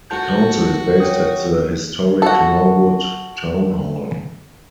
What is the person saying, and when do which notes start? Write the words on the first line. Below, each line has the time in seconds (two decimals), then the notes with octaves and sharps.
The council is based at the historic Norwood Town Hall.
0.10 F#4 A5 G6
1.00 C#5 G5 D#6
2.22 F#4 A4